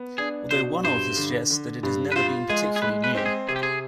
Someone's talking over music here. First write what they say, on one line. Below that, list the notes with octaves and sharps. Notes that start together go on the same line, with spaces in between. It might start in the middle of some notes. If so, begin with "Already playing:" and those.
Although one author suggests that it has never been particularly new.
Already playing: B3
D4 G#4
B2 C5
G2 C5
D3
D3
G2
B4
F4 C5
G#3 G#4
G#4
G#3 B4
B4
C4 G4
G#4
C3 G#4
G4
G#4